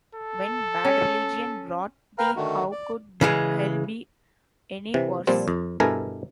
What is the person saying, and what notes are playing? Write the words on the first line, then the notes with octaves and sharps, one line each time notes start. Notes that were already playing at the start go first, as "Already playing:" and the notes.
When Bad Religion brought the How Could Hell Be Any Worse?
A4
C#4
A#4 B4 F5 G5 A#5 F6
D3 D#3 A3 F#4
D5
C#3 E3 G#3
C3 E3
A#2 F3 G3 C4
F2
G2 B2 E4 A4 A#4 G#5